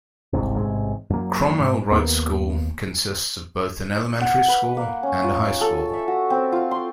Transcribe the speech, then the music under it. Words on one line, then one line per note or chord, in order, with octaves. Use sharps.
Cromwell-Wright School consists of both an elementary school and a high school.
G1 C2 G#2 C3
A1 G#2 C3 G#3
F#2 F#3 A#3
G#2
D#2 A#3 B3
F#5
B4
A#3
C#4
F4
A4
E5
F#4
C4
F4
C6